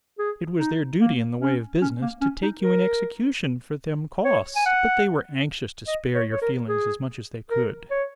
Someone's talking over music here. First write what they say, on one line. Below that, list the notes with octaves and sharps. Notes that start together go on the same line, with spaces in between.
It was their duty in the way of business, to take you in execution for them costs; but they were anxious to spare your feelings as much as they could.
G#4
D#4
A#3
C#4
C#4
A#3
C#4
D#4
A#4
C#5
G#5
F#5
D#5
C#5
C#5
A#4
G#4
A#4
C#5